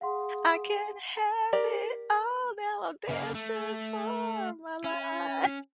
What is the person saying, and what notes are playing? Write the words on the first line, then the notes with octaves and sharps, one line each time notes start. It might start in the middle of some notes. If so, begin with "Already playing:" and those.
I can't have it all, now I'm dancing for my life."
G#4 F5 F#5 C6
G4 A#4 D5
C#3 A#3
A3
C#4